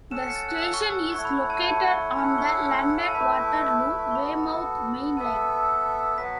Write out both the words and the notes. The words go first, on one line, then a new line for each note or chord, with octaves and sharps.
The station is located on the London Waterloo-Weymouth main line.
C#4 A4 F#5 E7
C#7
A6
F#6
E6
C#6
E6
A3 E4 C#5 F#5 C#6
B5
B5
A5
B5
C#6
C#4 E4 A4 F#5 B5
C#6
B5
A5
A3 E4 B4 E5 B5
C#6
B3 F#4 A4 B5
B3 A4 E5 A5
F#3 B3 F#4 B4 B6